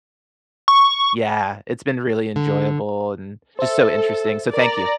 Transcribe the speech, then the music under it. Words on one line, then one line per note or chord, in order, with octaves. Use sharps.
yeah. It's been really enjoyable and just so interesting, so, thank you.
C#6
D3
A4 C5 E5
A#4 D5 A#5